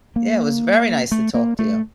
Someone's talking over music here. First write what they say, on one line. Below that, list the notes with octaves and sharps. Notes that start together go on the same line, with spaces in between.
Yeah, it was very nice to talk to you.
A#3
A3
A#3
A3